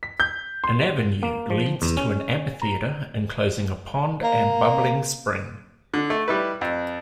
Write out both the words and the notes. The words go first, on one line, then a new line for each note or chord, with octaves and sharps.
An avenue leads to an amphitheatre enclosing a pond and bubbling spring.
B6
G6
C6
A#3
F3
E2
C#4
A#5
A#3
D3
A3
G3 E4 B4
F2